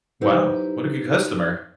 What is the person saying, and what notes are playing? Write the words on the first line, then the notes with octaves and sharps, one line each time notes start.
Wow. What a good customer.
F#3 D#4 E4 G4 B4 C5